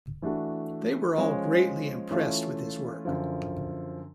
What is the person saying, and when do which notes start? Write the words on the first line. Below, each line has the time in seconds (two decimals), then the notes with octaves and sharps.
They were all greatly impressed with his work.
0.22 E3 A3 D4 F#4
1.17 F3 G#3 C#4
2.11 E3 A3 C#4 F4
3.05 F#2 D3 F3